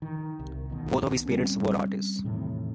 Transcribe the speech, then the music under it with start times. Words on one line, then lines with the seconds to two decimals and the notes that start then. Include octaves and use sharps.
Both of his parents were artists.
0.02 D#3
0.39 C2
0.70 B1 B2 D#3
1.26 G3 C4 C#4
2.24 E2 A2 C3 D#3